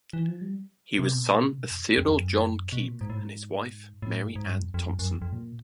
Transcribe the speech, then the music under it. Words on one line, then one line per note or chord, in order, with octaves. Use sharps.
He was son of Theodore John Keep and his wife Mary Ann Thompson.
E3
F3
G3
C3
B2
A#2
C#3
B2
F2
F2
F2
F#2
B2
A#2
G#2
A2
G#2
A2
G#2
G#2
G2
F2
F2
F#2
F#2
F2
F2
A#2